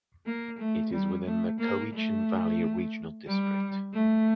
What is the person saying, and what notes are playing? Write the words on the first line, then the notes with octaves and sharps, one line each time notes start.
It is within the Cowichan Valley Regional District.
A#3
A3
G3
A3
A#3
A3
G3
A3